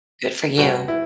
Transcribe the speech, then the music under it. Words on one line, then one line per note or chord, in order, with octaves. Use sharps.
Good for you.
B2 G3 B3 F#4
E4